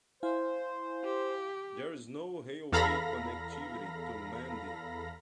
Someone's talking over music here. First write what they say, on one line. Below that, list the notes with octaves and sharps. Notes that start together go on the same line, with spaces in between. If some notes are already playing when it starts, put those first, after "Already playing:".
There is no railway connectivity to Mandi.
E4 C5 F5 G#5
G4
E2 A4 F5 A#5 B5 A#6